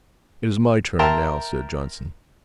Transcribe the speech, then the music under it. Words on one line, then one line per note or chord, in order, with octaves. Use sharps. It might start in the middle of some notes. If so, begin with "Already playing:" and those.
"It is my turn now," said Johnson.
A#4 E5 G5 A5 A#5 C6